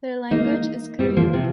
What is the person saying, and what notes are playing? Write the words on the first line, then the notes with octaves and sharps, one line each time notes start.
Their language is krio.
A#3 D#4
G3 C4
F3 A#3
C3 F3